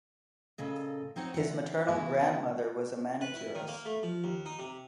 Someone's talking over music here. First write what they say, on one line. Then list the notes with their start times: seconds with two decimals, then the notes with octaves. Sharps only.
His maternal grandmother was a manicurist.
0.58 A#2 C#3 A4 D#5
1.16 C4 D#4 C5 C#5 F#5
1.34 E3 F#5
1.88 E3 G#3 B3 E4 F#4 B4
3.21 B4
3.36 E4
3.55 D#3
3.68 A#3
3.85 A3
4.03 F3
4.24 D#2
4.46 D#4
4.59 C3